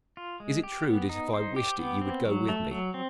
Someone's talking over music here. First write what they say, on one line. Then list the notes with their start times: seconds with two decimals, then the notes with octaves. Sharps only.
"Is it true that if I wished it you would go with me?"
0.17 F4
0.40 G#3
0.63 G4
0.86 B3
1.09 D#4
1.33 C5
1.56 G4
1.79 B3
2.01 C4
2.25 F#3
2.48 A3
2.71 F#3
2.94 C4